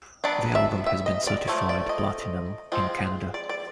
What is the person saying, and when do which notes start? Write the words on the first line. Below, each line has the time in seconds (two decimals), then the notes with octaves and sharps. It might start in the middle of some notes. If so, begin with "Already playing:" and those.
The album has been certified platinum in Canada.
0.24 F#3 B3 D4 D5
0.55 E5
0.86 E5
1.06 D#5
1.27 D5
1.48 F3 A3 C#5
1.69 D5
1.89 D#5
2.72 F3 G#3 C4
3.34 D5
3.49 D5